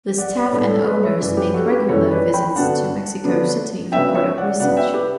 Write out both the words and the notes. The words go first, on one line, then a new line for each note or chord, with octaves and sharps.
The staff and owners make regular visits to Mexico City for product research.
D5 F#5
C#5
A2 G3 D4 B4 D5
A4 C#5
B4 D5
C#5 E5
F#2 E3 G3 C#4 B4 D5
G4 B4
F#4 A4
G4 B4
F#2 E3 G3 C#4 A4 C#5
B4 D5
G5 B5
D3 F#3 B3 D4 F#5 A5
D3 F#3 B3 D4
C#3 F#3 B3 D4 E5 G5
C#5 E5
D5 F#5
C#3 F#3 B3 D4 D5 F#5
E5 G5
G4 B4